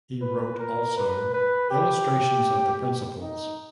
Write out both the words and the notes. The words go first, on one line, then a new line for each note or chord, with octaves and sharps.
He wrote also "Illustrations of the Principles".
B4
A#4
B4
B4
G4
D#4